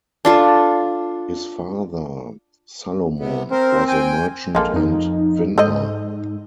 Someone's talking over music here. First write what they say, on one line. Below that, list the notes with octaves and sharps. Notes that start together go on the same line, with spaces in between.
His father, Salomon, was a merchant and vintner.
D4 F4 A4
C3 B3
C4 A#4 C5
G5 G#5
A#1 G#3 A#3 A4
F2 D#4
G#2 A4 C5 D#5